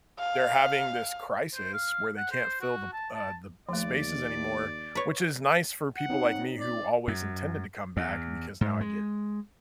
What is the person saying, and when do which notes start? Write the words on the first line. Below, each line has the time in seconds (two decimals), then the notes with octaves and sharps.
they're having this crisis where they can't fill the p uh, the spaces anymore, which is nice for people like me who always intended to come back because now I get,
0.19 F5
1.55 C5
1.74 F5
2.18 F#5
2.31 C5
2.61 F#4
2.93 A5
3.15 A5
3.69 D#2 F3 A3 D5
4.95 B4 C#5
5.96 F#5
6.08 C4 D#4 C#5
6.58 D5
7.08 F#2
7.97 E2
8.61 G#2
8.81 G#3